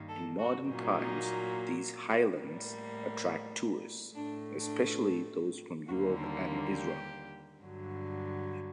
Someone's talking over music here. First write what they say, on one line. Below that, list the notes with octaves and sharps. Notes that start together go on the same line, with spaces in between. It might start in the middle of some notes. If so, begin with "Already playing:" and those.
In modern times, these highlands attract tourists, especially those from Europe and Israel.
Already playing: G2 D#3 G3 A#3
A4
F#4
A#2 F#3 A#3 D#4
A2 G3 A#3
A2 A3 D4
D4
D#2 D3 G3 A#3 F#4
D4
D4
G4
G2 D3 F#3